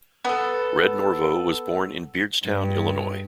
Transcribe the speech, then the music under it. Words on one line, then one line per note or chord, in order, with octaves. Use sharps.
Red Norvo was born in Beardstown, Illinois.
B3 A4
G2